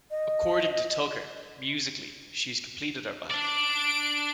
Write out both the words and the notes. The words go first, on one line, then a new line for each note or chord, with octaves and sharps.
According to Tucker, Musically, she's completed our band.
D#5
D4 D5 D7